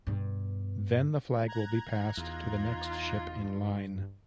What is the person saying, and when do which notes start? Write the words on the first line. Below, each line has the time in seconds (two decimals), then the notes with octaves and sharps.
Then the flag will be passed to the next ship in line.
0.07 G2 B2
1.48 A#5 F#6 G#6
2.17 E2 D#4 F4
3.38 G2